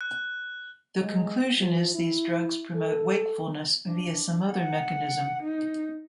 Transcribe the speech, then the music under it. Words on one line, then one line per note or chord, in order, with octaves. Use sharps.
The conclusion is these drugs promote wakefulness via some other mechanism.
F#6
G#3
F3
E4
A4
D4
F#5
D#4